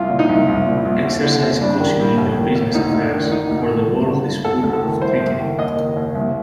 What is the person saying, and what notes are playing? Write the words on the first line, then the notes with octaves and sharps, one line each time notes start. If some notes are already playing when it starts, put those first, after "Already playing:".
Exercise caution in your business affairs, for the world is full of trickery.
Already playing: C2 F4
A#2
D#4
C2
C2
A#2
C2
D#2
D3
D#2
G2 D4
D#3
G2
D#2
D#3
D#2
D2 D#4
D2
D4
D#3
D2 D#4
D2
D#3
G2
D3
G2
D2 A4
D2
A4
D#3
C2 C5
C2
D#3
D#2 D#5
D#3
D#2
C2